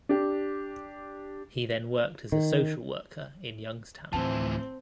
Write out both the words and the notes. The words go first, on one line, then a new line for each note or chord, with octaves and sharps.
He then worked as a social worker in Youngstown.
D4 G4
D#3
D2 A2 E3 F3 C4 A5